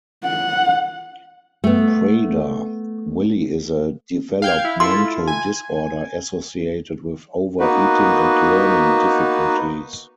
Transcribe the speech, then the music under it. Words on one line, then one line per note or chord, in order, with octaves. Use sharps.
Prader-Willi is a developmental disorder associated with over-eating and learning difficulties.
F#5
A3 B3
F5 G5 G#6
E4
E4 F4 A4 C6
G#5
A#3 B3 D#4 F#4 B4